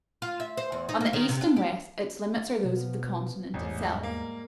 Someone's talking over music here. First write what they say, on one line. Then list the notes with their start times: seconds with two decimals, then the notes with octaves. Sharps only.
On the east and west its limits are those of the continent itself.
0.22 F4
0.40 E5
0.57 C5
0.72 E2
0.89 D#4
1.01 A#3
1.13 D#3
1.29 C3
1.41 D4
1.56 G4
2.64 B2 F3 B3
3.54 A1 E2 G#2 G3
4.03 A#3